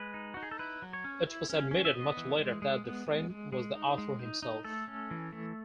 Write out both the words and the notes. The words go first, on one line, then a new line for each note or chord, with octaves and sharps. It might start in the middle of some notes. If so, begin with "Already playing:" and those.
It was admitted much later that the "friend" was the author himself.
Already playing: G#3 B4
D#4
D#4 F#4
G#4
A4
E4 B4
F#3
C#5
C#4
E4
C#4
C#4
E5
B3 D#5
E3
G#3
G#3
B3
G#3
G#3
G#3
D#4
G#3
D#4
D#4
A3 A4
C#4
E3
A3